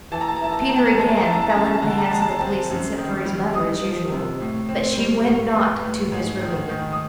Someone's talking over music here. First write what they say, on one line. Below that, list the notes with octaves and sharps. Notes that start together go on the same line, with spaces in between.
Peter again fell into the hands of the police, and sent for his mother, as usual; but she went not to his relief.
E3 A5
A#5
A5
A#5
E4 A5
A#5
A5
C4 A#5
A5
A#5
A5
G#3 A#5
A5
A#5
E4 A5
A#5
A5
A#5
C#4 A5
A#5
A5
D3 A#5
A5
A#5
A5
G#3 A#5
A5
A#5
C4 A5
F#2
D#3
G3
D#4 D#6
F3
C3
A2
C4
G3
A2
B3
A2
G#2
D#3
D#3
D#6